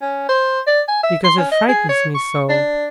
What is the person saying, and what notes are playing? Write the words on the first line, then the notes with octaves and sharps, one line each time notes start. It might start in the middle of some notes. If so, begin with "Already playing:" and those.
'Because it frightens me so!'
C#4
C5
D5
G#5
E5
C6
C#4
D#5
G#4
C#5
C#6
D4